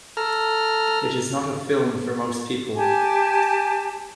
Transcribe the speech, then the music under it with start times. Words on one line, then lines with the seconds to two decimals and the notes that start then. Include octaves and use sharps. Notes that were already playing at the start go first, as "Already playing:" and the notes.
It is not a film for most people.
0.17 A4 A#5 F6
2.76 G4 G#5 A5